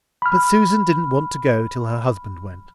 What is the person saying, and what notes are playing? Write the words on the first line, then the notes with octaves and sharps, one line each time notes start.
But Susan didn't want to go till her husband went.
B5 F6